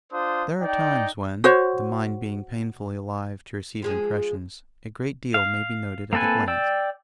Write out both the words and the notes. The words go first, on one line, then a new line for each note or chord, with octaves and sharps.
There are times when, the mind being painfully alive to receive impressions, a great deal may be noted at a glance.
D4 F4 C5 D#6
D#4 D5 G5
F#4 C5 C#5
F3 G#3 G#4
F5
A#3 C4 A4 B4 G#5
D5 G5 E6